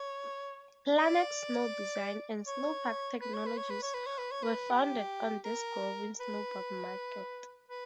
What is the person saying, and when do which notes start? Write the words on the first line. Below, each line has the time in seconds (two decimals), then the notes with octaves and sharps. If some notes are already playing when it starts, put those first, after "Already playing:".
Planet Snow Design and Snow Park Technologies were founded on this growing snowboard market.
Already playing: C#5
0.98 D5
2.47 C#5
3.21 B4
3.34 C#5
3.46 B4
3.57 C#5
3.70 B4
3.83 C#5
3.94 B4
4.06 C#5
4.18 B4
4.31 C#5
4.43 B4
4.71 G4
5.45 A#4
6.20 B4
7.69 B4